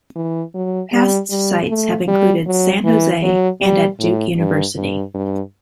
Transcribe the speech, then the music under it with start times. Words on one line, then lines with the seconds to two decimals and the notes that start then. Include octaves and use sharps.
Past sites have included San Jose and at Duke University.
0.16 E3
0.54 F#3
0.93 G3
1.30 G3
1.69 A3
2.08 G3
2.46 F#3
2.84 E3
3.22 F#3
3.61 G3
4.00 A2
4.37 G2
4.76 G2
5.14 G2